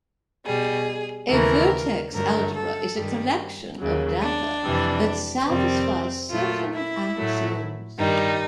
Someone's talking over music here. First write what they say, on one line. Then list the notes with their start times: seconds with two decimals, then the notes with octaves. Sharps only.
A vertex algebra is a collection of data that satisfy certain axioms.
0.45 B2 G3 G#4
1.29 D#2 C#3 E3 A3 A#4
2.13 G2 D3 F#3 A3 A#4
2.54 A4
2.96 G2 D#3 G3
3.80 D#2 C#3 F#3
4.22 D4
4.64 F2 C3 E3 G3
5.48 F2 C3 D#3 G3 C4
6.31 A#2 F#3 A3 F4
6.73 E4
7.15 A2 F#3 A3
7.98 G2 D#3 G3 D#4